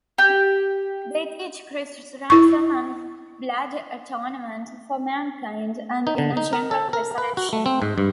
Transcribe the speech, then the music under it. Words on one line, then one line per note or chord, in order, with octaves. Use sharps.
They teach Christ's ransom and blood atonement for mankind, and in a general resurrection.
G4
E4 C#6
D#4
D3
D#4
A#4
A4
A#4
B4
F#4
A3
C4
G#2
G2